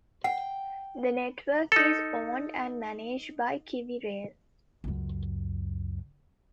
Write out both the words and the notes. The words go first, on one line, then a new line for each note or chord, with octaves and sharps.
The network is owned and managed by KiwiRail.
F#5 G5
D#4 A4
C#2 F#2